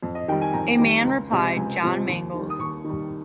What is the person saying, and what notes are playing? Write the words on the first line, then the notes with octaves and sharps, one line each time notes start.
A man,” replied John Mangles.
F2
D#5
D#3 G3 G5
G#5
F2 A#5
D#3 G3
C#2
C3 F3 G#3
C#2 G#5
C3 F3 G#3
D#2
D#3 G3
D#6
D#2 C#6
D#3 G3